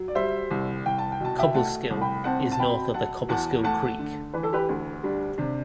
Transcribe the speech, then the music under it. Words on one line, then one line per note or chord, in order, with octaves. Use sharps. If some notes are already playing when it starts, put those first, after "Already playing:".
Cobleskill is north of the Cobleskill Creek.
Already playing: F#3
D5
G3 C5 E5
C2
C2 G5
A5
G5
B2 A5
E5 G5
A3 F#5 A5
C2
G5 B5
C4 F#5 A5
A5
B2 G5 B5
F#3 F#5 A5
E2 F#5 A5
A3 F#5 A5
D3
E3 B4
A4
G4 B4
D2
G3 D4
C3 D4